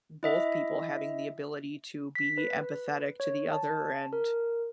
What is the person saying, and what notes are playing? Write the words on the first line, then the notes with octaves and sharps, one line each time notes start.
both people having the ability to be empathetic to the other and,
E4 D#5 E5
B6
B4
C#5
A5
A#4